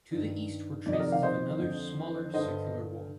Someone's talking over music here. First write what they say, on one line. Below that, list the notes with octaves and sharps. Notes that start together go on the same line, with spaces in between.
To the east were traces of another, smaller circular wall.
G2
D#3
F2 C3 D#3 D5
D#5
A#4 D5
F5
C5 D#5
F2 D3
G2 D3 C5 D#5